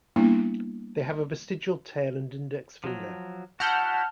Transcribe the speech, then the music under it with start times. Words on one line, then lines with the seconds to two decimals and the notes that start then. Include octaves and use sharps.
They have a vestigial tail and index finger.
0.16 G3 A#3 B3 D4 E4
2.84 F3 F#3
3.60 E4 F#4 F#5 A5 F6 G6